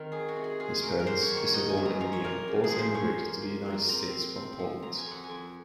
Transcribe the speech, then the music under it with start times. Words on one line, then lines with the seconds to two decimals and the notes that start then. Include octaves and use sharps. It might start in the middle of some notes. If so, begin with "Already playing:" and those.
His parents, Isidor and Leah, both emigrated to the United States from Poland.
Already playing: D#3 C4 A#4 C5
0.12 F#3 G#4
0.28 F#4
0.36 C3
0.44 G#4
0.59 F4 G#4
0.82 F#3 A#4
1.00 A#4
1.06 A#3 C5
1.23 C#5
1.30 D#3
1.37 C#5
1.54 D#4 D#5
1.69 G#5
1.78 F#2
1.85 A#5
2.00 F3 A#5
2.13 C#5
2.24 A#3 A#4
2.48 C#3
2.64 G#4
2.72 F3
2.79 C5
2.94 F3 C#5
3.18 A#3
3.42 F3
3.65 A#3
3.89 C4 A#5
4.13 F3
4.35 C4
4.59 F3
4.82 F#3 A#5
4.97 G#5
5.06 F2 F#5
5.24 G#5
5.30 F2